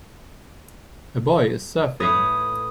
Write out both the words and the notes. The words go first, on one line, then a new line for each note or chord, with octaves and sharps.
A boy is surfing.
A2 B4 C#5 D#6